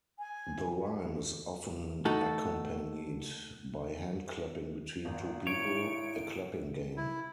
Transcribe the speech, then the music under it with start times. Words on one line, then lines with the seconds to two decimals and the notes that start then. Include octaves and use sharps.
The rhyme is often accompanied by hand-clapping between two people, a clapping game.
0.19 G#5
2.05 A3 D#4 F#4 A4
5.05 G#1
5.47 E4 C#5 D7
6.97 E4